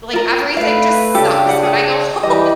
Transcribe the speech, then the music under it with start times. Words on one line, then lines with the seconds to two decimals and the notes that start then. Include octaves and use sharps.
like, everything just sucks when I go home,
0.13 F4 A#4
0.57 A3 B4 F5
1.15 C#3 D4 G4 A4
1.46 G4 F#5
1.63 G#4
2.23 E3 G3 G4 D#5